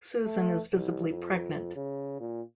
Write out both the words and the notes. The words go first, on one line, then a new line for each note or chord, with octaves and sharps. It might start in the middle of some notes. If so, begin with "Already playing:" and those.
Susan is visibly pregnant.
A3
C2
F2
C#3
A#2